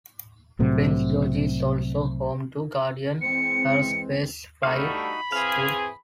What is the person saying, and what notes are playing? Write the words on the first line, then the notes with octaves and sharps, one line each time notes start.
Prince George is also home to Guardian Aerospace Flight School.
C2 A2 C3 F#3
E3 G#3 C4 C#7
D3 G3 A3 D#4 F#4 F5 B5
E3 C4 G#4 F5